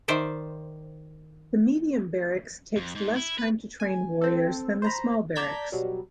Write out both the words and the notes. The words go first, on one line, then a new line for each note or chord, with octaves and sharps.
The medium barracks takes less time to train warriors than the small barracks.
D#3 C5 D5 E5
F2
G#2
E4
B4
G#5
C4 A4
C5 A#5 B5
D5 A5 A#5 G6 G#6 B6
B2 F#3 G3